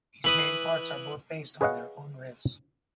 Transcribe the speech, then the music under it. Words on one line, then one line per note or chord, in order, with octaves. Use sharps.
These main parts are both based on their own riffs.
E3 B4 D#6
G#4 B4 C#5 D#5 F5 F#5